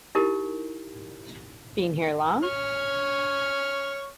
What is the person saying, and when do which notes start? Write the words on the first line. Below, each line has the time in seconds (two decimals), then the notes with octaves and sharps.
Been here long?
0.15 D#4 E4 G4 A#4
2.43 C#5 C#6 F6